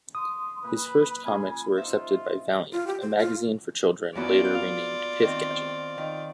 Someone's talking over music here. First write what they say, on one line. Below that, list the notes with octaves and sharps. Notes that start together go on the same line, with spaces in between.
His first comics were accepted by "Vaillant", a magazine for children later renamed "Pif-Gadget".
C6 D#6
A#2 B4 B5
C#4 F4 G#5
D#4 F4 C5 E5
F4
G4
C5
F4
F#2 E3 B3 F4 D5
F5
D#3 C4
D#3